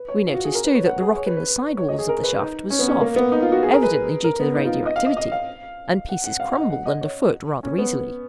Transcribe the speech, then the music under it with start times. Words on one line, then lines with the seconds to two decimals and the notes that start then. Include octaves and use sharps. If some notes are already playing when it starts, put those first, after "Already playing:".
We noticed too that the rock in the side walls of the shaft was soft, evidently due to the radioactivity, and pieces crumbled under foot rather easily.
Already playing: B4
0.08 C#5
0.27 F4
0.34 F#4
0.45 G#4
0.55 A#4
0.65 B4
0.75 C#5
0.86 F#5
1.01 G#4
1.16 C#5
1.26 B4
1.37 B4
1.78 C#5
1.88 D#5
1.99 G#4
2.09 A#4
2.23 B4
2.40 D#4
2.70 C#4
2.79 B3
2.88 C#4
3.01 A#3
3.16 B3
3.32 D#4
3.42 F4
3.52 F#4
3.63 G#4
3.73 A#4
3.83 B4
4.24 A#4
4.40 B3
4.55 D#4
4.65 F4
4.86 D#5
4.96 F5
5.06 D#5
5.17 D#5
5.32 F5
6.09 F#5
6.24 F#5
6.40 F5
6.50 F#5
6.60 D#5
6.70 F#5
6.86 D#5
7.01 C#5
7.63 C#4
7.78 B3